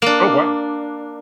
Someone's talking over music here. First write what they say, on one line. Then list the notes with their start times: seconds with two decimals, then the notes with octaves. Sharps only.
Oh, wow.
0.02 A#3 D4